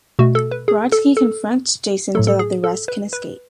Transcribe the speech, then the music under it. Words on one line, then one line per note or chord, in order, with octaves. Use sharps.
Brodski confronts Jason so that the rest can escape.
B2 A3 F#4
A4
B4
G#4
A4
A4
A2 F#3 A3 A4
A4
G#4
A4
B4
B4